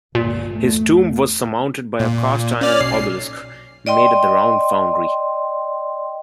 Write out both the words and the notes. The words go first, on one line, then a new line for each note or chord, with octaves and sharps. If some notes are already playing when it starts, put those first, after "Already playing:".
His tomb was surmounted by a cast iron obelisk made at the Round Foundry.
G1 C#2 A#2
E2 A3
A#2
C#4 D5 F6
B1 C7
D5 D#5 G5 C6